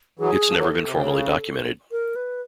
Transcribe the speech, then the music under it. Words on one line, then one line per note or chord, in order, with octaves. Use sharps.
It's never been formally documented.
E3 F#3 G#4
F3
E3 F#3 A4
C3
C#3 A4
A#4
B4